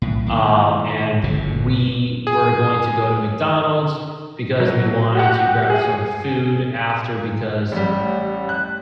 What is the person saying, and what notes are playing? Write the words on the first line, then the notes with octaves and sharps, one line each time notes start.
um, and we were going to go to McDonald's, because we wanted to grab some food after, because
B1 A2
A#2 D#3 E3
G1 F#2 A#2 C#3
G#4
F#3
F#4 G4 F#5
G#4
A1 G3
F#6